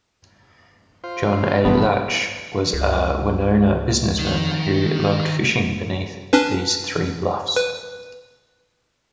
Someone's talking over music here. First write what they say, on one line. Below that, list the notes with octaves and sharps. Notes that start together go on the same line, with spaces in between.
John A. Latsch was a Winona businessman who loved fishing beneath these three bluffs.
F4 C5
G#1 B2 E3 G3 A3 B3
C#2
D#3
C#4 D4 B4
B4